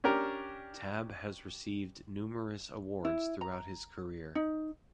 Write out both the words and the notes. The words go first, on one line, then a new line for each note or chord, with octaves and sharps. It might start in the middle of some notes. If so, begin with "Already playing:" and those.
Tabb has received numerous awards throughout his career.
C#4 D4 G4 A#4
E4
A#5
D#4